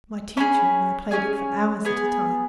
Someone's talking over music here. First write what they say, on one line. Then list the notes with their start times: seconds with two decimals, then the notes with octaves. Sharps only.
My teacher and I played it for hours at a time.
0.37 C#4 G#4 B5
1.11 C#4 G#4 G#5
1.85 B3 G#4